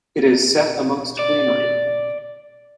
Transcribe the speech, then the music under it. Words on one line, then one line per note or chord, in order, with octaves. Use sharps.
It is set amongst greenery.
D5